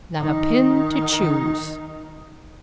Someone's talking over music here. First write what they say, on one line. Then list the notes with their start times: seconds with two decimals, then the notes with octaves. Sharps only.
Not a Pin to Choose.
0.18 D#3 D#4